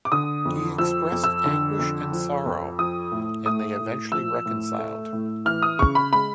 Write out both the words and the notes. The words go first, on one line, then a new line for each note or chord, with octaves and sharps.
He expressed anguish and sorrow, and they eventually reconciled.
D6
D3 D#6
F2
F3 E6
F2
E6
D3
F2
F3
F2
F3 D#6
A2
A3 D#6
A2
F3 E6
A2
A3
A2
E3 F6
D#6
C#3 C#6
B5
G#3 B5